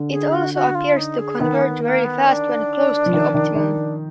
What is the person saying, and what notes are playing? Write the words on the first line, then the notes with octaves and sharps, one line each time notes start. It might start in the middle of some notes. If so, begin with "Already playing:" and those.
It also appears to converge very fast when close to the optimum.
Already playing: D3
G#4
F#4
F#4
F4
D#4
G#4
D#3 B3
A#3
B3
A#3
B3
D4
F3
D#3
D#3
D#3